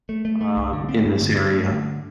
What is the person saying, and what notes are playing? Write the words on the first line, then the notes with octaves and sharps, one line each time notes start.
um, in this area,"
A3
A3
A3
C2
D3
C4
G2
D3
G2
A3
D3